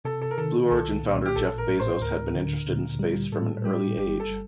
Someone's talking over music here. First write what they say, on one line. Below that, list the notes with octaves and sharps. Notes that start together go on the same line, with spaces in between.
Blue Origin founder Jeff Bezos had been interested in space from an early age.
C3 A4
A4
A#4
D#3 A4
C2 A4
A#2
G4
A1 A4
A#4
A2
C5
D2 A#4
D3
A#2
G3
A2 A4
G3 G4
G1 G4
A4